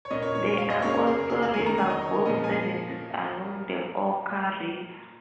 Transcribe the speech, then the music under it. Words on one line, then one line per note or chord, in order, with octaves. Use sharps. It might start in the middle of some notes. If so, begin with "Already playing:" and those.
There are also river boat services along the Oka River.
C#5
A#2 A#3 C#4 D#5
C#5
C#5
C#5
F5
D#5
C#3 A#3 C#4 C#5
A#4
G#4
A#4
G#4
G#4
D#3 A#3 C#4 G#5
A#5
G#5
D#5
C#5
A#4
A#2 F3 A#3 C#4 D#5
G#5